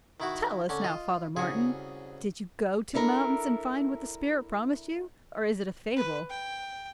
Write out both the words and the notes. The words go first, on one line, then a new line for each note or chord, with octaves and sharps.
'Tell us now, Father Martin, did you go to the mountain and find what the spirit promised you; or is it a fable?'
D#3 E4 F#4
D3 C#4
F4 D#5
C2 C#3 F#4 G#4
D4 E4 A4 A#4
B4
G5